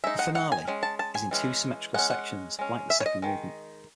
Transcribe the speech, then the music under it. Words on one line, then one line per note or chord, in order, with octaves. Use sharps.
The Finale is in two symmetrical sections, like the second movement.
G#3 D#4 E5
F#5
F#5
G#5
G#3 C#4
A5
A5
G#5
E3 G#3 C#4
G#3 C#4 F#5
F#5
G#3 C#4
E5
C#5
D#5
D#3 G#3